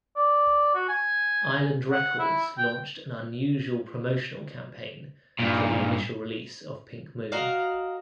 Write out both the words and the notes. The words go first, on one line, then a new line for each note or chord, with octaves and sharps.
Island Records launched an unusual promotional campaign for the initial release of "Pink Moon".
D5
F#4
G#5
F#5
E4
G5
G2 A#2
F#4 A#4 D#5 F5